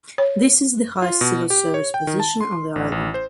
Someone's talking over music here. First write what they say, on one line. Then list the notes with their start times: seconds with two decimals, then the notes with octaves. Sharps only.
This is the highest civil service position on the island.
0.18 C#5
1.02 F4
1.21 B2
1.50 G4
1.74 C#5
1.94 G5
2.07 D#3
2.20 A5
2.41 C6
2.76 A1
2.92 A1
3.14 C5